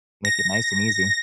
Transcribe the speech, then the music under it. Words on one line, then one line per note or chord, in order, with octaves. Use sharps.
make it nice and easy."
A#6